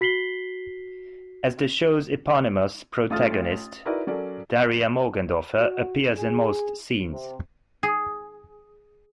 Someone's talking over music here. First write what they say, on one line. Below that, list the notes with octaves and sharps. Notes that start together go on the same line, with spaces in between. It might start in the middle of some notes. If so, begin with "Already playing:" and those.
As the show's eponymous protagonist, Daria Morgendorffer appears in most scenes.
F#4 B6 C7 F#7 G7
A1 A3 F4 D#6 F6 A6
D#4 E4 F#4 A#4 B4 D5
F#3 C#4 A4 A#4 D5
F#4
G#4
C3
G#4